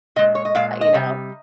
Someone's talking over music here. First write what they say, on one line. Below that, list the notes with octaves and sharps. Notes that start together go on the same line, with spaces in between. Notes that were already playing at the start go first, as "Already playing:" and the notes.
uh, you know.
A#2 G#3 D#5
C#5
D#5
A#2 G#3 F5
D#5
C3 G3